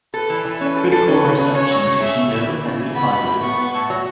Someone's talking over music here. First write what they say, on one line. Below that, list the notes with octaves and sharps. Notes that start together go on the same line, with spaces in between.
Critical reception to Shindo has been positive.
A4 B4
E3
E3
C#4 B4
A4
A4
C#4 B4
C#3
C#4
C#4 C#5
F#3
C#3
C#3 E5
A3
E3
E3
C#3
E3
B3 B5
A2
A2
B3 C#6
B3
A2
F#3